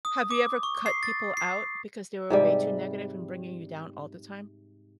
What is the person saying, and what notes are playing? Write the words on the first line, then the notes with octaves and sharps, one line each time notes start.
Have you ever cut people out because they were way too negative and bringing you down all the time?
D#6
D6
C#6
C7
A6
C7
G#2 C3 G3